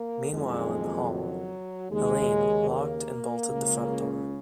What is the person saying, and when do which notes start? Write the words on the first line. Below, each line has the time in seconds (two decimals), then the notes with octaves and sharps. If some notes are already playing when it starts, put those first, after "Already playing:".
Meanwhile, in the hall Helene locked and bolted the front door.
Already playing: A#3
0.32 F#1 F2 D#3 G#3
1.11 F#3
1.90 D#2 C#3 G#3
2.69 A#3
3.48 C#2 C#3